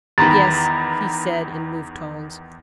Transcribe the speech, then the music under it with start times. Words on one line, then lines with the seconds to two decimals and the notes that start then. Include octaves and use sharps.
"Yes," he said, in moved tones.
0.18 E2 D#3 A#5 B5 A6